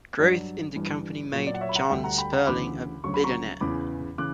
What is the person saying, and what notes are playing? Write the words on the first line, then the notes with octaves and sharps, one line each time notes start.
Growth in the company made John Sperling a billionaire.
G2 F#3 D5
G2 E3 G3
A#2 F#3 C#5
D5
F#5
C#5 E5
B5
F#5 A#5
D2 D3 G3 E5 G5
F#5 A#5
G5 B5
F#5 A#5
D2 C#3 E3 B5 D6
D2 C#3 F#3 C#6
B5
A#5 C#6
E2 C#3 E3 B5 D6
C#3 E3 D6 F#6